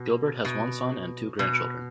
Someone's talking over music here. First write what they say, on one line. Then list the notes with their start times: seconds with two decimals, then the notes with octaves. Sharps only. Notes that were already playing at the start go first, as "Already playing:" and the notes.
Gilbert has one son and two grandchildren.
Already playing: B2
0.45 B2
1.39 B2